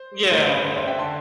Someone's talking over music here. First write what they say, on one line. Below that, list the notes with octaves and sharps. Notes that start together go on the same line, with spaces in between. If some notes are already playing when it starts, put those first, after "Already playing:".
Yeah, yeah.
Already playing: C5
A1 G2 D3 C5
B4
C5
C5 E5
E5 G5
D3 A5 C6